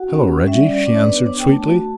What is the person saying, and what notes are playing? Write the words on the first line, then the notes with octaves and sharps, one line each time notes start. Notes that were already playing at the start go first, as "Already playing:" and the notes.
"Hello, Reggie!" she answered sweetly.
Already playing: F#4 F#5
C#4
C#4
G3 E5
D5
C#4
D5
D4 D5
C#5
B3 B4
B4
D4 C#5
G5
A3
A5
F#4